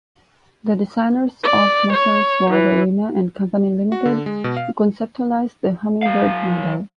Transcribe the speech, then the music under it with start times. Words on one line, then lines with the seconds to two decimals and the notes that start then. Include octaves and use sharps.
The designers of Messrs Y. DeLima and Company Limited, who conceptualised the Hummingbird Medal.
1.44 D5
1.92 C#5
2.49 E3
3.92 F#4
4.06 D3
4.26 G#3
4.44 B2
4.57 F5
6.03 F#3 F5